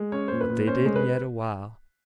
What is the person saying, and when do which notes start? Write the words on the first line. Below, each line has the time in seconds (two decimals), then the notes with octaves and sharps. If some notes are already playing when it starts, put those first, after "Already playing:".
But they didn't yet a while.
Already playing: G#3
0.12 C#4 C#5
0.28 A#2 C5
0.41 B4
0.50 A#2
0.67 C#4 C5
0.86 G#3
0.96 B4